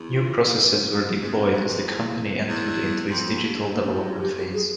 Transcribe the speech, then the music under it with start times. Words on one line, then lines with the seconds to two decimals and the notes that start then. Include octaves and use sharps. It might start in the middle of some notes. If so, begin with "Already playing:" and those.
New processes were deployed as the company entered into its digital development phase.
Already playing: E2
0.09 F4
0.57 F2
0.72 C#4
0.89 C4
1.00 G#3
1.09 A#3
1.20 G#2 C4
1.52 G2
1.67 F2
1.84 E2
2.16 C4
2.47 E2
3.10 F2 C4
3.26 A#3
3.42 G2
3.74 A#3
3.84 C#4
3.95 E4
4.06 F4
4.17 G#4
4.21 G4
4.32 E2
4.37 F2 G4
4.54 G#4